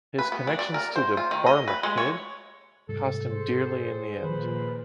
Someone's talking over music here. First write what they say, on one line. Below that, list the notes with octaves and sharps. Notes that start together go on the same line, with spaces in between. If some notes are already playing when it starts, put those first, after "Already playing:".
His connections to the Barmakid cost him dearly in the end.
B4
B3
D4
D5
A#4
C5
F4
D#3
D#5
B4
G#3
C#5
G#2 C3 G3 A4
G#4 C5
A#2 D#3 F3 B4